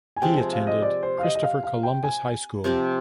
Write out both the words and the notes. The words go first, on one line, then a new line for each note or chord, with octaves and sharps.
He attended Christopher Columbus High School.
G#5
C3 F3 G#3 G5
G#5
F5
D#5
D5
C5
F5
D#5
D#5
F5
F5
G5
G#5
C3 F3 C4 G4